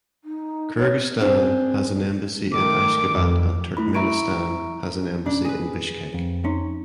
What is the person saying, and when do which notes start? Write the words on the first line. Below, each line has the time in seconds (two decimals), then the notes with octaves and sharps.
Kyrgyzstan has an embassy in Ashgabat and Turkmenistan has an embassy in Bishkek.
0.24 D#4
0.79 C#5
1.21 C4 D4 G#4
2.52 D#3 A3 D6
3.14 F2
3.77 A3 E4 B5
3.95 E4 E5 A#5 C#6 D7
5.26 B1 C#4 D4
5.45 G#4 B4
6.14 F2
6.45 C4 C#4 D#4